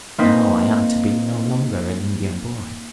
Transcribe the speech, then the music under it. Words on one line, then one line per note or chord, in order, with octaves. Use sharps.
Now I am to be no longer an Indian boy.
A#3 C4 D#4 B4